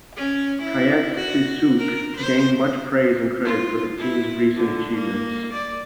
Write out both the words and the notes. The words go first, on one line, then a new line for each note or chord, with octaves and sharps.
Kiatisuk gained much praise and credit for the team's recent achievements.
C#4
E4
F#4
A#4
C5
F4
E4
D3
A#3
D5